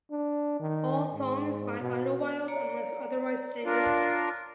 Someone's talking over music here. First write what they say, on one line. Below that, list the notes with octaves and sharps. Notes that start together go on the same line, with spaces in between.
All songs by Idlewild unless otherwise stated.
D4
D#3
G#2
B2
C#5 D5 A#5
D4 F4 A#4